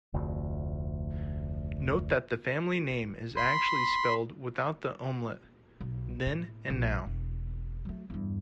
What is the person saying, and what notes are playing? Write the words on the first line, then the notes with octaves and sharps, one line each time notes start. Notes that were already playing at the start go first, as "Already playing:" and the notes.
Note that the family name is actually spelled without the umlaut, then and now.
F1 D2
B5 C6
B1
A2
A#1
E1
F#3 A3
E2 G2